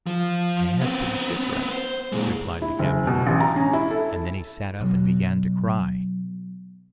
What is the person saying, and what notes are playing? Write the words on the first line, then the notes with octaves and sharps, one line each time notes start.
"I have been shipwrecked," replied the cabin boy; and then he sat up and began to cry.
F3
B3 C4
C5
A#2 G#3
E4
F#1
B2
A1
A#5
C#4
E4
A4
B2 F#3